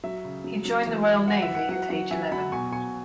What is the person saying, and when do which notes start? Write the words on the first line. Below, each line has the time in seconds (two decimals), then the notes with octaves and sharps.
He joined the Royal Navy at age eleven.
0.04 F#3 E5
0.24 C#3
0.44 F#3
0.65 F#3
0.86 E3
1.08 E4
1.27 E3 F#5
1.42 E5
1.49 E4
1.55 F#5
1.69 F#3 F#5
1.90 F#3 F#5
2.10 F#3 E5 G#5
2.32 F#3 F#5 B5
2.52 B2 G#5 C#6
2.72 B2 G#5 C#6